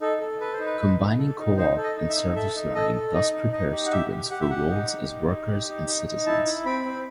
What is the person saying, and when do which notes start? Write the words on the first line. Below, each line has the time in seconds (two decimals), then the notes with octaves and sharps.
Combining co-op and service learning thus prepares students for roles as workers and citizens.
0.01 D#4 A4
0.21 A4
0.41 A4 B4
0.53 C5
0.60 D#4
0.66 B4
0.80 D#4
0.99 D#4
1.18 A4
1.38 D#4
1.57 D#4 C5
1.77 A4
1.84 D#5
1.97 D#4
2.09 E5
2.16 D#4
2.35 A4 E5
2.55 D#4
2.75 A4 D#5
2.95 A4
3.14 D#4 D#5
3.33 D#4
3.53 D#4 D#5
3.72 G4
3.86 F#5
3.91 G4 E5
4.11 G4
4.30 G4 F#5
4.41 E5
4.50 G4 F#5
4.70 D#4
4.89 G4
5.09 D#4
5.28 D#4
5.47 G4
5.68 D#4
5.87 D#4
6.07 D#4
6.26 E4 A5
6.45 E4
6.65 C4 B5
6.85 C4